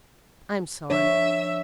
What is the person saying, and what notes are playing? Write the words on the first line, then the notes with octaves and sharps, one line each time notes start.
I'm sorry.
F3 D4 C#5 E5